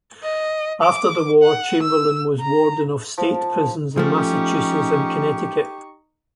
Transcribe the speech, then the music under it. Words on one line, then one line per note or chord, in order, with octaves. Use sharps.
After the war, Chamberlain was warden of state prisons in Massachusetts and Connecticut.
D#5
D6
F#5
E6
A#5
F3
F3 A3 C#4 D#4 G4 C#6